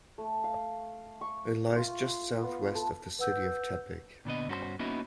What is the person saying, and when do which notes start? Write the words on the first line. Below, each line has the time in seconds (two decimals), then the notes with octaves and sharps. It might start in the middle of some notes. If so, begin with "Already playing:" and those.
It lies just southwest of the city of Tepic.
0.18 A3
0.44 F5
1.21 C#6
1.76 F4
2.08 C6
2.43 B3
2.75 A4
3.19 B4 F#5 E6 G6
4.25 A#2 D3 B3 D#5
4.48 G2 C#4 F#4 B4 C5
4.79 A#3 B3 C#4 D#4 E4 F#4